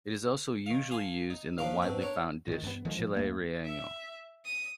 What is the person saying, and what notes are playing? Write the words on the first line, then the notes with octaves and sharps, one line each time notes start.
It is also usually used in the widely found dish "chile relleno".
D#3 F5
F5 G#5 A5 C6
D#4
D#2 F3 D4 F4 A#4 F5
G#2 B2 C4 D4
D4 A#4 C#5
A#2 D#3
E2 G2 G3 B3
D3 D#3 F3 G#3
A#2 F3
D#2 A3 A#3
E5
D#6